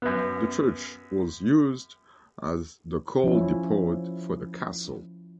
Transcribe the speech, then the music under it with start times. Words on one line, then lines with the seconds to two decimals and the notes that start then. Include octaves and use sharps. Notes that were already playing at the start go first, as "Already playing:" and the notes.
The church was used as the coal depot for the castle.
0.02 F#2 B3
3.24 F3 C#4 E4